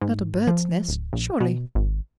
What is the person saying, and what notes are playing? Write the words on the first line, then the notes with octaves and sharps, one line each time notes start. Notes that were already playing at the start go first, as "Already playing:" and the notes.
Not a bird's nest, surely.'
G#2
F3
D1
A#1
B2
G#1